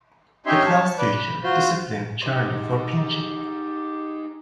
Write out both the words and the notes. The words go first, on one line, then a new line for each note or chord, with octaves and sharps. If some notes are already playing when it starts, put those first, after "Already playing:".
The classteacher disciplined Charlie for pinching.
C#4 D#4 G4 C#5 E5 C6
C#5 A5
B4 D5
B5
F4 F#4 C5
D#4 G4 C5